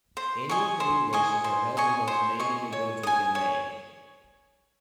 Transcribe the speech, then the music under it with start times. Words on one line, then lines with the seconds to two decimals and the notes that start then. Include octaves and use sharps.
Annual canoe races are held in both Maine and New Brunswick in May.
0.17 C5
0.49 D#5 G#5 C#6
0.80 C5
1.13 D#5 G#5 C#6
1.44 C5
1.77 D#5 G#5 C#6
2.08 C5
2.40 D#5 G#5 C#6
2.72 C#5
3.03 G#5 D#6
3.35 C#5